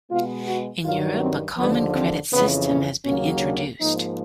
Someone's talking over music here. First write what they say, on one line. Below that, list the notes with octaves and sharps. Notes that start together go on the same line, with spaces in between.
In Europe, a common credit system has been introduced.
B2 G#3 B3 F4
F#4
G2 D#3 F#3 F4
C4
D#2 D3 F3 B3
C4
F2 C#3 E3 B3
C#4
D#2 C#3 F#3 A#3 C#4
D4
G#2 F3 A#3 D#4